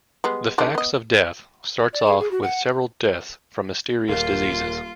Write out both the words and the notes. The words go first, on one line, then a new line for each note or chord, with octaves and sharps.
"The Facts of Death" starts off with several deaths from mysterious diseases.
G3 G#3 B3
D#3 G#3 D4
B3 D#5
D5
G#4
G#4
F#4
F#5
D#1 A#3 F4